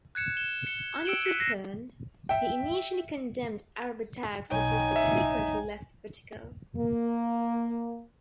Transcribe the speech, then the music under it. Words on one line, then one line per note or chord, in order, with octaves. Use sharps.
On his return, he initially condemned Arab attacks but was subsequently less critical.
F#6 G#6 C#7 E7
E7 G7
C#7 G7
E6 C#7 D7 E7 F#7 G7
F#6 B6 C#7 D#7
E6 A#6 C7 C#7 E7
E5 G5
B1 D#4 C#5 G5 G#5
E5
A#3